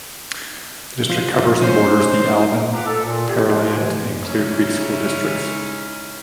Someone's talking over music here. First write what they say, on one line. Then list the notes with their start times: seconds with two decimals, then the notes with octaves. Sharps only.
The district covers and borders the Alvin, Pearland and Clear Creek school districts.
1.10 F3
1.62 C#4 C5
2.73 F4 B4 F#5 A#5 D6
2.85 A4
3.04 A#2
3.27 G4
3.46 F3 G#3
3.75 D2 C#3 E3 G4 G#5
4.22 C#3 G#3 C#4 D#4 E4